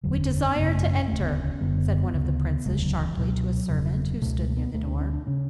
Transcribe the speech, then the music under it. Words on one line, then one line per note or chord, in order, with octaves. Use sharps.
'We desire to enter,' said one of the princes sharply to a servant who stood near the door.
F#1 E2 D3 F#3
C#4
D4
C#4
G#1 F#2 C#3 B3
A3
C#4
E1 D2 C#3 A3
B3
C#4
F#1 F#2 D3 B3
D2 C#3
E1 D2 C#3 G#3
F#3
E3
C#2 B2 F#3
E1 E2 C#3
C#2 B2 A3
G#3
A3
B3
D2 D3 A3
D4
C#4
D4
C#3 C#4